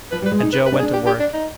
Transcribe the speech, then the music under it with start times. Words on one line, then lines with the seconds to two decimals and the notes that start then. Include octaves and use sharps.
And Joe went to work.
0.11 F3 B4
0.22 G3
0.26 B4
0.32 G#3
0.38 G#4
0.43 D#4
0.53 B4
0.66 B4
0.72 D4
0.79 G#4
0.82 D4
0.93 G4
1.07 G4
1.20 D4
1.33 D#4